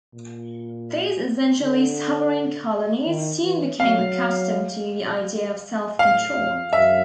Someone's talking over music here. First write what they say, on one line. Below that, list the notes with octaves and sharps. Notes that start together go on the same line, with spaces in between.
These essentially sovereign colonies soon became accustomed to the idea of self-control.
A#2
D3
D#3
E3
F#3 F5
G3
A2 F5
F2
F#2 E5